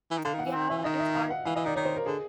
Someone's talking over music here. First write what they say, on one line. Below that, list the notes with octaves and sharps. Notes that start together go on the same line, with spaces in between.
Yeah, it's hard each year
E3
D#3
D3 F5
D#3
F#5
E3
D#3
E3 E5
D#3 D#5
E5
F5
F#5
E3 F5
E3 D#5
D#3 D5
D#3 C#5
C5
A#4
D3 G#4